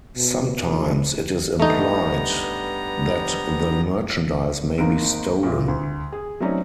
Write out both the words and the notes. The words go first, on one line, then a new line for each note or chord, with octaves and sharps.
Sometimes, it is implied that the merchandise may be stolen.
B2
F1
G2 A3 B3 D#4 A#5
G#1 D#3 A#3 D#4 D7
A#2 E4
D2
G#4
F#3 A3 C4 C#4 D#4 D5